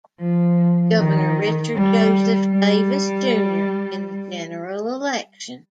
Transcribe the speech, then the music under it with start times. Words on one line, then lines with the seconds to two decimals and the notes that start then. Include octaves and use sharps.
Governor Richard Joseph Davis Junior in the general election.
0.21 F3
0.97 D#3
1.75 G3
2.52 G3